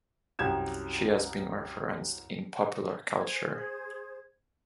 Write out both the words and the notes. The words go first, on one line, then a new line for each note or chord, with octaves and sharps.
She has been referenced in popular culture.
C2 F#2 G4 G#6 E7
G#4 C5 G#6